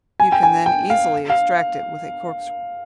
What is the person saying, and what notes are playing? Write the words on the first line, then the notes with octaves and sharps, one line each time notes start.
You can then easily extract it with a corkscrew.
G#5
G5
G#5
G5
F5
F5